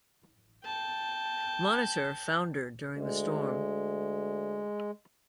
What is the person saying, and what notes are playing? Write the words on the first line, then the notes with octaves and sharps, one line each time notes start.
"Monitor" foundered during the storm.
G5 A5
D2 G#3